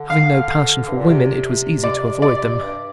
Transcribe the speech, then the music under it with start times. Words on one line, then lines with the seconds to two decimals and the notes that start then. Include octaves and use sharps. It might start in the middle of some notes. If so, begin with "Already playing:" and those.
Having no passion for women, it was easy to avoid them.
Already playing: D3
0.10 F5
0.88 G2
0.97 A#2
1.07 C3
1.84 D5
2.22 D5
2.62 G2